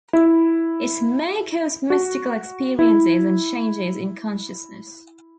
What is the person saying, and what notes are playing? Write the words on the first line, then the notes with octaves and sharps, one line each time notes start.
It may cause mystical experiences and changes in consciousness.
E4
F#4
E4